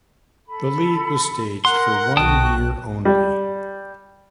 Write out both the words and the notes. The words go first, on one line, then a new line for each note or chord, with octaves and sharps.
The league was staged for one year only.
A4 B5
A#4 F#5 C6
B1 F#4 G5 A5 D#6 F#6
G3